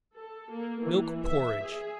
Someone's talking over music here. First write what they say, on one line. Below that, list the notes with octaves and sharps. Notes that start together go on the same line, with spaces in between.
Milk Porridge.
A4
A#3
E3
E5
G#4